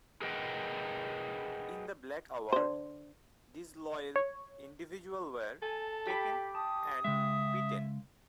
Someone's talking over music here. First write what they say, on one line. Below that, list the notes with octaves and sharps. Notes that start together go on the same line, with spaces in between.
In the "black house" disloyal individuals were taken and beaten.
G#4 A#4 B4 D#5 F#5 G5
D3 C5
C#5
A4 G#5 A5
G4 B5
A5 D#6
C#3 G#3 E5